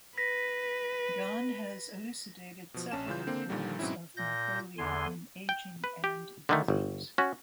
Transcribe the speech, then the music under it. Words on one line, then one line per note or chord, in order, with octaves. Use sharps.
Gan has elucidated several roles of microglia in aging and disease.
B4 A#6 B6
B2 F3
A#1 C#4 A5 E7
C#3 E3 F4 G6
D3 A#3 C4
A#2 D3 D#3 G3 A#3
G#2 B2 F#3 C4 C#4 E4
A#2 G6 A#6
E2 D3 G#5 C6
G5
B4
G4
D3 D#3 A3
G1
C#4 F#4